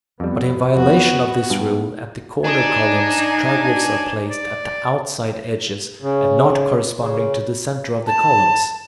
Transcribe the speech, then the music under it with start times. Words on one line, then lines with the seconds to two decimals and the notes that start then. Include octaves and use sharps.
But in violation of this rule, at the corner columns triglyphs are placed at the outside edges and not corresponding to the centre of the columns.
0.20 F2 G3 B3
0.76 F2 F#4
1.50 G2
2.44 D4 D#4 D5 G#5
4.30 D5
6.02 C#3
6.99 C#3
8.07 A5